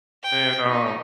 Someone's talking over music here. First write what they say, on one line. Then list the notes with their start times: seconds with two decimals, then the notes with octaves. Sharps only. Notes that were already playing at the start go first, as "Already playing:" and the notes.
and, um,
0.23 G5
0.69 D#4